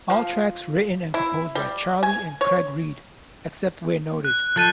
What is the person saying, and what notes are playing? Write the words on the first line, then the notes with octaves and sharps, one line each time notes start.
All tracks written and composed by Charlie and Craig Reid, except where noted.
F3
E4
G3
G#5
C#5
F#6
F3 A4 F#6 A6 D#7